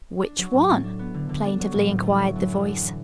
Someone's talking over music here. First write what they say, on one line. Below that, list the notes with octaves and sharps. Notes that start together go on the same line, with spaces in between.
"Which one?" plaintively inquired the voice.
D4
F#3
A2
A2
D4
B3
D3
D3
D4
F#3
A2
A2
A3
F#3
F#2
D4
D4
E3